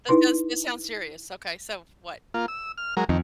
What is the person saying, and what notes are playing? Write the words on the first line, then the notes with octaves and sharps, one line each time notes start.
That sounds that sounds serious. Okay. So what?
D#4 E4 B4 C6
A#3 F4
E6
F6
F#3 G#3 A#4
F2 D#3